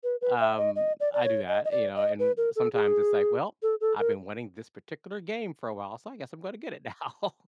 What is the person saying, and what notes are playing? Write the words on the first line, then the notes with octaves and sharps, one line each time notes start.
Um. I do that, you know, and sometimes it's like, "Well, I've been wanting this particular game for a while so I guess I'm gonna get it now."
B4
B4
E5
D#5
D#5
D5
D5
C#5
D#5
D#5
D5
D#5
B4
A#4
A4
G#4
A4
A4
A#4